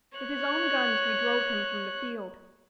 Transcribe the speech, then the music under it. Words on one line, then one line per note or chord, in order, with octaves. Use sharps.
With his own guns we drove him from the field.
C#5 F#6